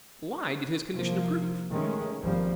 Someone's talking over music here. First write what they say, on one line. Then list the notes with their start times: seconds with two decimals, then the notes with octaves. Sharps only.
Why did his condition improve?
0.93 C3 F3 A#3
1.71 D#3 G#3 A3 C#4
2.22 G#1 F3 G3 A#3